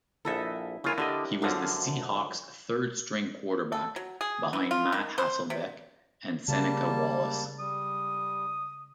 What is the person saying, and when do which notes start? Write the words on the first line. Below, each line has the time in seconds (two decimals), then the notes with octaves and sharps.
He was the Seahawks' third-string quarterback behind Matt Hasselbeck and Seneca Wallace.
0.25 A#1 E4 A4 D#5 E5
0.84 C#3 E4 F4 A#4 C#5 G#5
0.98 D3 D4 G4 D#5
1.42 F#2 D3 F3 F5 A#5
3.72 A4
3.96 F#3
4.21 G#4
4.53 E3
4.71 F4
4.92 D#3
5.18 C5
5.50 C3
6.48 C#3 G3 A#3 A5
7.59 G3 D#6